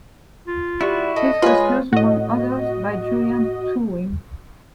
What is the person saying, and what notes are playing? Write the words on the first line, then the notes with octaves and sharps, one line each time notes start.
This was used among others by Julian Tuwim.
F4
G3 E4 F#4 C#6
A4 D#5
G#3 F4 B4 C#5 G#5 C6
A2 F#4 D#5